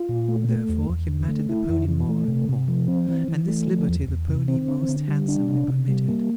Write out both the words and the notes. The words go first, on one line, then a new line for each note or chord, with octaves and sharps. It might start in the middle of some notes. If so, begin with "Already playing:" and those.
Therefore he patted the pony more and more; and this liberty the pony most handsomely permitted.
Already playing: F4
A#2
A3
A3
E2
E2
D3
A3
E4
F2
E3
A3
C3
C3
F3
C4
E3
E3
A3
F3
E2
E2
C3
C4
D3
D3
G3
D4
C3
C3
G3
A#3